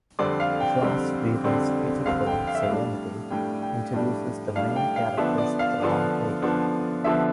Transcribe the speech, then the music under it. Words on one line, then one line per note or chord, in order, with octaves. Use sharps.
Joss Whedon's feature film "Serenity" introduces the main characters with a long take.
F2 D3 G3 C4 D5
F5
G5
F2 D3 G3 C4
F2 D3 G3 C4
F2 D3 G3 C4 F5
G5
F5
E5
F5
A2 G3 D4
A2 G3 D4 G5
G5
A2 G3 D4
A2 G3 D4 F5
G5
F5
D3 F3 B3 D4 E5
D5
F5
D3 F3 B3 D4
D3 F3 B3 D4
D3 F3 B3 D4 E5